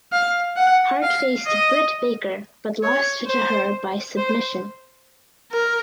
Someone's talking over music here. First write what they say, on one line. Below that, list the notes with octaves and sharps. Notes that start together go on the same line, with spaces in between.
Hart faced Britt Baker but lost to her by submission.
F5
F#5
F5
D#5
C#5
C5
C5
A#4